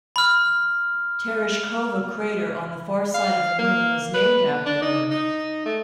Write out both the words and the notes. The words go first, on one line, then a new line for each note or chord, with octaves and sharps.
Tereshkova crater on the far side of the Moon was named after her.
B5 F6
F5
A#3
B4
D4
D#4
D#4
A3